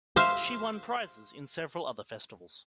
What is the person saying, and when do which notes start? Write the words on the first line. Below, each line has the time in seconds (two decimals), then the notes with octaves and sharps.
She won prizes in several other festivals.
0.16 C5 E5 F5